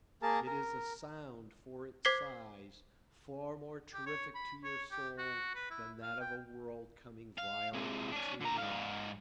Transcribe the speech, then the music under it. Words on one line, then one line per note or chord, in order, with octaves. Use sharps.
It is a sound, for its size, far more terrific to your soul than that of a world coming violently to an end.
A#3 G#4 A#4 A5
A#4
C5 D6 G#6 B6 C7 G7
G4
C#5
B5
C#5
G4
F#4
B4
E4
F5
G5
F5
C3 G#3
D4 C#5
D3 A#5
G#2 F5